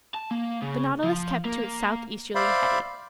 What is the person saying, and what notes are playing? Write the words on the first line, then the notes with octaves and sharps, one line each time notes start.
The Nautilus kept to its southeasterly heading.
A5
A#3
C#3
F3
A#3
C5 D5 E5 F5 B5 C6